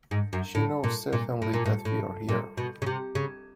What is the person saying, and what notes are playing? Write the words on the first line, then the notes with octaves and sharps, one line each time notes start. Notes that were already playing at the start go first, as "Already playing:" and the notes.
She knows certainly that we are here.
G#2
F#2
A2
A#2
A#2
A2
A#2
A2
A2
A#2
B2
C#3
C3
C#3